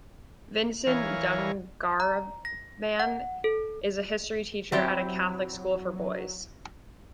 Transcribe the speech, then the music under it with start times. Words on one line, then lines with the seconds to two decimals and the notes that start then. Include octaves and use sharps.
Vincent Dungarvan is a history teacher at a Catholic school for boys.
0.87 E3 A#4 C#5 F5 G#5
2.00 A#5
2.45 A#6
3.00 F#5
3.44 A4
4.72 F#3 C4 E4 G4